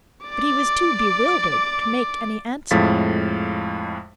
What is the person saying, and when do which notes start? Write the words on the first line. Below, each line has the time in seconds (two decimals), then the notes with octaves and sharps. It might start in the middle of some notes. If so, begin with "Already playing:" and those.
But he was too bewildered to make any answer.
0.26 D5 D6
2.71 F2 A2 G#3 F5 A6 B6